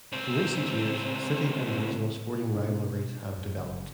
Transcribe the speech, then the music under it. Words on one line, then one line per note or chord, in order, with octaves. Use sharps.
In recent years, city and regional sporting rivalries have developed.
C#2 C4
B2 D4
F#2
F#1 F#3